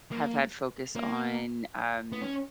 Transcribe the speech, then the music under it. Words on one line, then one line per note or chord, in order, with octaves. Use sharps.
have had focus on, um,
A#3
A#3
B3
C#4